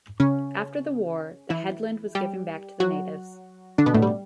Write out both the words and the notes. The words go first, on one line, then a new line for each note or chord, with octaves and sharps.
After the war, the headland was given back to the natives.
C#3 C#4
E3 E4
G3 G4
F#3 F#4
D3 D4
B2 B3
A2 A3
G3